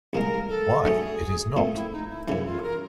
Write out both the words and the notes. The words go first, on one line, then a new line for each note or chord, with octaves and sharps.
Why, it is not!
C2 A#2 F3 G#3 A#4
A4
D2 D3 F#3 A3 C#4 G#4
A#2 F3 A3 C4
E4
D#4
E4
F#2 C#3 E3 E4
F4
A4
A#4